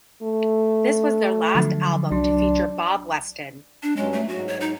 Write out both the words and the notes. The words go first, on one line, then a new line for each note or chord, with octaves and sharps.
This was their last album to feature Bob Weston.
A3
D3 F3 F#3
C2 F#3 D4 C6
D4
G2 F#3 G#3 C#4
A3
G#2 F#3 F#4
C#5
D#4